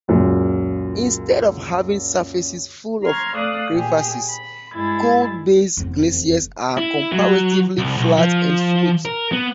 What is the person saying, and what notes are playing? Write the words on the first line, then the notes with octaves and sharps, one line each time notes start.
Instead of having surfaces full of crevasses, cold-based glaciers are comparatively flat and smooth.
C#2 F#2 A#2
A#5 C6 C#6 F6 G#6
A3 D5 F5 D#6 F#6
A#2 G4 G#4
B5
G2 G#3 E4 G#6 A6
F1 E2
E4
F#3
C2
B1
F3
A#4
B3